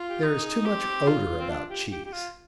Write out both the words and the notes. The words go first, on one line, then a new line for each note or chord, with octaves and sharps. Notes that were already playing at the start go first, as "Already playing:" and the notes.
There is too much odour about cheese.
Already playing: F4
G4
D#4
G#4
C4 G4
F4
C4
D4
G4
G4
G4
F4